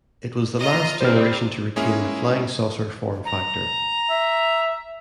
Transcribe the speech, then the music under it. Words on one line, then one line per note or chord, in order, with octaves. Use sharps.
It was the last generation to retain the "flying saucer" form factor.
F4 D#5 A#5
G3 C4 D#4 C5 D5 F6
G#3 A#3 C#4 E4 G#4
A#5
E5